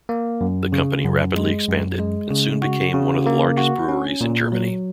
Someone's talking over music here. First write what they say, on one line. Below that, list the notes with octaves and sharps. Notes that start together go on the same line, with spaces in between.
The company rapidly expanded and soon became one of the largest breweries in Germany.
A#3
F#2
C#3
F#2
G#3
F#2
G#3
C#3
F#4
C#3
A#3
F#4
C#4
A#2
F#3